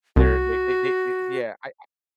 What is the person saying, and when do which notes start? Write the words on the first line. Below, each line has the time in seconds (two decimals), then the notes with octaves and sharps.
they're they they they they yeah, I
0.16 C2 F#4